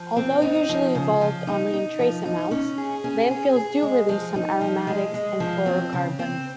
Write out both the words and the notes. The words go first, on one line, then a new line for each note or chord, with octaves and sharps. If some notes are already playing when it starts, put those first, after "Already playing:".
Although usually evolved only in trace amounts, landfills do release some aromatics and chlorocarbons.
Already playing: F3
C4
D#4
F3
C#3
F3
D#4
D#4
F3
D#4
C#4
G#4
C#4
G#4
G#4
G#3
F3
D#4
F3
G#3
G#3
F3
C4
C#3
C4